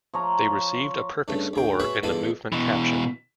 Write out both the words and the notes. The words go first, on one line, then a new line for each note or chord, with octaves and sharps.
They received a Perfect Score in the Movement Caption.
F3 C#5 A#5
G2 C#3 A3
D2 G#4 G5
F#4 G#4 B4 C#5 E5 F#5
E2 B2 E4 F4 A4 F5
B2 E3